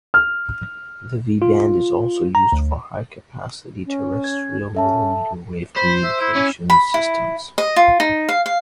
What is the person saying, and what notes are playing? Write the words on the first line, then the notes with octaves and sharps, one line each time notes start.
The V band is also used for high capacity terrestrial millimeter wave communications systems.
F6
F4
A#5
D2
C#4
G#6
C#4 A4 E5 A5
C5 B5
E5
E4
C#4
B5
E4
D#5
F4
D#4
F5
F5